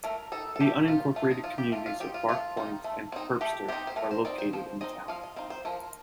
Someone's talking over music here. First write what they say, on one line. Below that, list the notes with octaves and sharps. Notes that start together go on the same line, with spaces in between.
The unincorporated communities of Bark Point and Herbster are located in the town.
A3 A#4
D#4 A4
A4
A3 G4
D#4 F4
A3 F4
D#4
D#4 F4
G4
A3 F4
F4
D#4 G4
F4
A3 F4
C4 D#4
A3
C4 D#4
A3 G4
C4 D#4 G4
C5
A3 A#4
C5
C4 D#4 D5
C5
F3 C5
C4 D#4 D#5
F3 F5
D#5
C4 D#4 F5
C5
F3 A#4